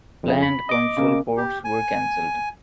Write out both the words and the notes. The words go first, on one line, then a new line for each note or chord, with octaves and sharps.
Planned console ports were cancelled.
F2 C#3
B5
D#5 D6
C#3 A#3
G4
G#5